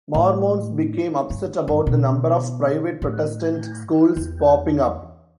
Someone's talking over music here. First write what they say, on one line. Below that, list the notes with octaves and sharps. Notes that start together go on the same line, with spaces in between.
Mormons became upset about the number of private Protestant schools popping up.
A2
G2
G2
B2
A2
E2